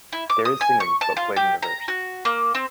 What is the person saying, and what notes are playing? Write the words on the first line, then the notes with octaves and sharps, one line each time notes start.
There is singing, but played in reverse.
E4
D6
D#6
G#5
C#6
A5
F4
G4
A#5
F#4
A#3
C4